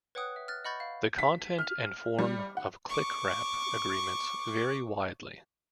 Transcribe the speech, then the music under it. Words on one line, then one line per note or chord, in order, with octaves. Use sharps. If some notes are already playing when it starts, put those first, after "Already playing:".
The content and form of clickwrap agreements vary widely.
B4 C#5 F#5 G5 D#6 F#6
E5
F6 F#6 A6
D#5 F#5 B5 C#6 G6 A6
F5
B6
F6
G3
F#5
C#6 D6